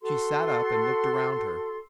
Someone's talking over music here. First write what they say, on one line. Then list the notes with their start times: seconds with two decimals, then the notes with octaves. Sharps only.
She sat up and looked around her.
0.01 F#4 A4 C6